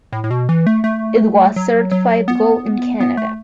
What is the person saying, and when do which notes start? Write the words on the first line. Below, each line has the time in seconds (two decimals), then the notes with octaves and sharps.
It was certified gold in Canada.
0.13 A2
0.24 A2
0.31 B2
0.49 E3
0.67 A3
0.84 A3
1.56 F#3
1.92 F#3
2.28 B3
3.00 B3
3.17 A3